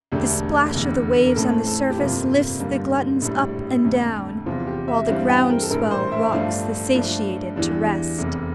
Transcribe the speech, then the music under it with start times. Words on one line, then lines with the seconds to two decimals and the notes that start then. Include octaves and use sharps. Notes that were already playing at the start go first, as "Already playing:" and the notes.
The splash of the waves on the surface lifts the gluttons up and down, while the ground-swell rocks the satiated to rest.
0.12 E1 D2 D3 A3 D4 G4
0.74 F1 E2 D3
1.26 A#4
1.36 A1 A2 E3 A3 C4 A4
1.67 A4
1.90 G4
1.98 G1 F2 C3 F3 A#3 F4
2.60 G1 G2 D3 G3 A#3
3.22 A#1 A2 G3
3.84 F2 D3 A3
4.46 E2 C3 F3 F4
4.67 G4
4.88 E5
5.08 G2 E3 G3 C4 F5
5.29 G5
5.50 A#4
5.62 A4
5.70 A#1 A2 E3 A#4
5.91 C5
6.12 E5
6.32 G1 G2 F3 A3 D4 F5
6.94 G2 F3 A3 D4
7.56 E2 E3 G3 D4
8.18 F1 E2 C3